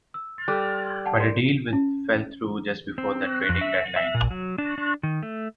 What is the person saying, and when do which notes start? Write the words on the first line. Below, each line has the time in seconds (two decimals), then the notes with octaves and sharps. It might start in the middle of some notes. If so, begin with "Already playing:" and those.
But a deal with fell through just before the trading deadline.
0.14 E6
0.48 G3 A4 D6 F#6
1.06 F#5 G5 A5
1.19 A#4 D5 C6
1.73 C#4
2.98 C4
3.49 F2
3.61 E5
3.96 E5
4.14 A#2
4.31 F#3
4.58 D4
4.78 D4
5.03 D#3
5.23 A3